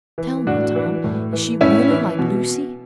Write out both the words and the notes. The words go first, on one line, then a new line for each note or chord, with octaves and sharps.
"Tell me, Tom, is she really like Lucy?"
E3
A2 D4 F#4
E3
A2
E3
A2 C#4 E4
E3
B2